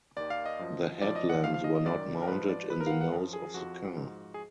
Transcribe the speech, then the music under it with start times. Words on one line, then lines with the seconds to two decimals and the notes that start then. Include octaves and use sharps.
The headlamps were not mounted in the nose of the car.
0.17 D#2 D#3 D5
0.30 F5
0.46 D#5
0.59 F#2 F3
1.01 F#2 F3 D5
1.16 D#5
1.29 F#5
1.44 F2 F5
1.48 F3
1.54 F5
1.64 D#5
1.75 D#5
1.85 F#2 D#3 D5
2.22 A#4
2.28 G#2 F3 B4
2.49 D5
2.70 G#2 F3 B4
2.81 A#4
2.87 F5
2.91 F#5
3.01 F#5
3.12 F#2 F3
3.33 G#4
3.54 F2 F3 F#4
3.97 G#2 F3
4.34 G#4